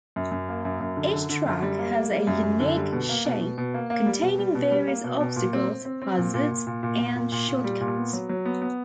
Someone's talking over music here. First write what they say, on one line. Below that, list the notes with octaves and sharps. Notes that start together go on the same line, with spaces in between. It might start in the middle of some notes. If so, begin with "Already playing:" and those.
Each track has a unique shape, containing various obstacles, hazards, and short-cuts.
F#2
F#2
A#3
F#2
F#2
D3
D3
D3
F#2
G3
A#3
A#3
G3
F#2
F#2
D3
G3
B2
A#3
B2
B2
B2
A#3
A#3
G3
B2
G3
B2
G3
A#3
B2
B2
A#2
C4
C4
C4
C4
A#2
A#2
A#2
A#2
A#2
A#2
A#2
A#2
A#2
G3
A#2
B3
F#3
F#3
B3
B3